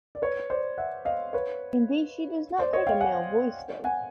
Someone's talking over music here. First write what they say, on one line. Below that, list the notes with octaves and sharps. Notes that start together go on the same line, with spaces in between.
In these she does not take a male voice though.
D5
B4 C#5
C5 D5
E5 F#5
D#5 F5
B4 C#5
C5 D5
C#5 D#5
F5 G5
F#5 G#5
F#5 G#5